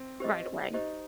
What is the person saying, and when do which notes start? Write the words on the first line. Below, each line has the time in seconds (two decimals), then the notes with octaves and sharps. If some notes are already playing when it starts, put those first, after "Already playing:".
right away.
Already playing: C4
0.20 G4 C5 D#5
0.73 D#4 G4 C5 D#5